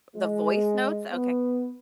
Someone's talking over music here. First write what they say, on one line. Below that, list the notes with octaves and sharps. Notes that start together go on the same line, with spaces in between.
the voice notes? Okay.
G#3
B3